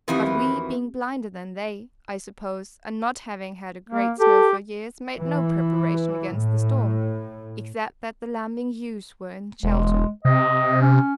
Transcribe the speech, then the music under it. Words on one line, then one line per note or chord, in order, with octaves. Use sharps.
But we, being blinder than they, I suppose, and not having had a great snow for years, made no preparation against the storm, except that the lambing ewes were in shelter.
F2 D#3 E3 B3 C4 F#4 G4 B4
A#3
G4 A4
E3
A2
E1 G#3
C3 D#5
C#4